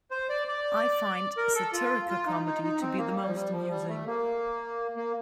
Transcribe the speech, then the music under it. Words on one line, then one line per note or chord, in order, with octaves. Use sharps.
I find satirical comedy to be the most amusing.
C5
D5
D5
A#4
A4
F4
F4
D#4
D#4
D#4
C4
A#3
G3
F3
G3
F3
G3
A3
A#3
A#3